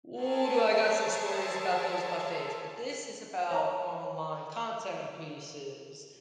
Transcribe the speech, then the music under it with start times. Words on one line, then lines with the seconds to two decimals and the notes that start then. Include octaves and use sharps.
Ooh, do I got some stories about those buffets, but this is about online content pieces,
0.20 G#4 A#4 C5 C#5 E5 A5
3.51 C#5 A5 A#5